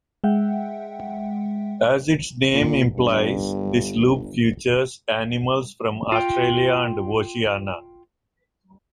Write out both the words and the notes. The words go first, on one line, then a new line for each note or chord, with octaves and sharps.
As its name implies, this loop features animals from Australia and Oceania.
G#3 E5 F#5 G5
A#2
G1 G2
F4 G5